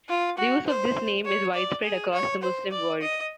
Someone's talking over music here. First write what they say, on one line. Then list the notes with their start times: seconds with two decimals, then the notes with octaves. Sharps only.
The use of this name is widespread across the Muslim world.
0.09 F4
0.37 F#4
0.67 C5
1.25 C#5
1.54 D5
1.84 G#4
2.13 C#5
2.42 C5
2.71 D5
3.01 D#5